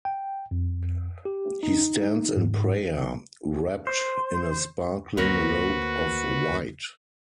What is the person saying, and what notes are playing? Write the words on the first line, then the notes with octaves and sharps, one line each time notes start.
He stands in prayer, wrapped in a sparkling robe of white.
G5
F2
G4
D#4
G#2
C5
D2 A#3 C4 F#4 A#4 B4 C#5